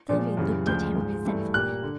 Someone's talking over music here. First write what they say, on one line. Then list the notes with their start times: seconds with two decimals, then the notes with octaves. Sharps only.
Sylvia looked at him resentfully.
0.09 A#2 F3 G#3
0.37 F#2 C#3 E3 G3
0.66 D2 C#3 F3 G#3 G6
0.95 G#2 F3 G#3
1.26 G2 E3 A3
1.54 A#2 G3 A#3 F#6
1.83 D3